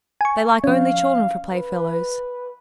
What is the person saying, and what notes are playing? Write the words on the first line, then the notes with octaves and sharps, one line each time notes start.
They like only children for playfellows.
G#5 C#6
F3 C#4 F5
B4